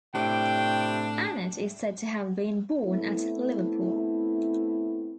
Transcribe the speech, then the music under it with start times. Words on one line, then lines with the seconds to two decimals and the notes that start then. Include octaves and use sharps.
Annet is said to have been born at Liverpool.
0.15 A2 C3 D4 G5
2.85 A3 B3 C4 E4